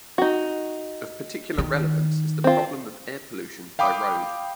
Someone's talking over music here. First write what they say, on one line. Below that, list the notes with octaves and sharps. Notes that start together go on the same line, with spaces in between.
Of particular relevance is the problem of air pollution by road.
D#4 F#4
D#3
C4 F4
F5 G5 B5 D6 D#6